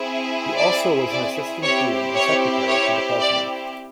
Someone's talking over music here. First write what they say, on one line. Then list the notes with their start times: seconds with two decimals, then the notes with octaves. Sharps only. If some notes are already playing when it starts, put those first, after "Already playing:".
He also was an assistant dean and secretary to the president.
Already playing: C4 E4 G#4
0.56 D5
1.10 D5
1.62 C4 E4 G4 C#5
2.15 C#5
2.68 C#5
3.21 D5